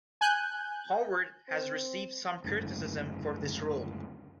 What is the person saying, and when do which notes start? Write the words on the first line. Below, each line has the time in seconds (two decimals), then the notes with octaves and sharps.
Howard has received some criticism for this role.
0.21 G#5 F#6 G6
1.49 C4
2.44 F#1 D2 G#2